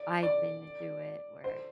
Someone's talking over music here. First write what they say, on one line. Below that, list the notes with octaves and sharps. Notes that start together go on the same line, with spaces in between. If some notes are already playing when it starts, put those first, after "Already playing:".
I've been through it where
Already playing: D5
D5
C5